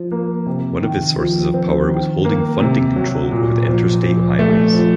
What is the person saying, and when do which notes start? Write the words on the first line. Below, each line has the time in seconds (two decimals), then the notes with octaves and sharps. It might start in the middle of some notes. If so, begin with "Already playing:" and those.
One of his sources of power was holding funding control over the interstate highways.
Already playing: F3
0.12 A#3
0.46 C3
0.82 D#3
1.18 F3
1.54 C4
1.89 D#3
2.25 A#3
2.60 C3
2.96 F#3
3.32 A#2
3.68 F3
4.03 F3
4.39 A3
4.74 F3